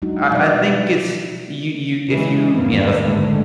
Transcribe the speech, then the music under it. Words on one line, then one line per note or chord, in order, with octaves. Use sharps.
I I think it's you you if you you know, f
F#3 G#3 D4 D#4 F#4
B2 F3 G3 B4 D5 E5
C#3 E3 G#3
A#1 E2 G2 D#3 A#3 B3
A1 G#2 D3 G#3 A3